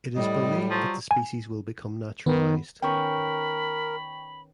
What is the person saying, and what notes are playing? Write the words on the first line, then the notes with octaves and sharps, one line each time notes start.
It is believed that the species will become naturalized.
A2 G3 D#5
F3 F#3
G#5
D#3 B3
D#3 B3 C#4 A#4 G5 B5 C#6